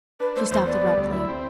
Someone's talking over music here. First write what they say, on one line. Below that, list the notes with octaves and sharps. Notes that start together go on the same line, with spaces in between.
She stopped abruptly.
D4 B4
A3 C5
E2 C5
B3 D5
G3
D2
E4
C4